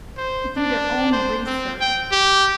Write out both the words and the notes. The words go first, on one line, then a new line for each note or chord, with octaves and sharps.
eh, do their own research
C5
D4
C5
C4
G5
G4